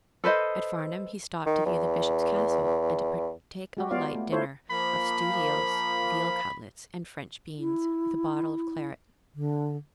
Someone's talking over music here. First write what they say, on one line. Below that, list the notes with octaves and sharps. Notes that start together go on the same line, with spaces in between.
At Farnham he stopped to view the Bishop's Castle and to partake of a light dinner of stewed eels, veal cutlets, and French beans, with a bottle of claret.
A4 B4 C5 D#5
D#3
E2
G#3 F#4 G4
B3 F4 C#5 D5 F5
A3
E4 F4 A4 C5 C#5
F3 A#3 B5
E4
D3